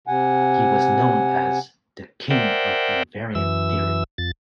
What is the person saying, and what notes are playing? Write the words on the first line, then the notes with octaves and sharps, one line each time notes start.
He was known as "the king of invariant theory".
C3 F#5 G#5
A#4 C5 D5 E5 F#5 G5
F#2 E3 E6
F2 A6